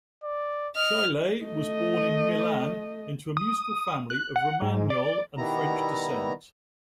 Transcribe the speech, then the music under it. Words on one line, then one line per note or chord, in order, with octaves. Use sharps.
Chailly was born in Milan into a musical family of Romagnol and French descent.
D5
D#5 F6
A3 D#5
D#6
F#6
F#5
G#2
D5
B2 D#3 G3 B3 E4 A#5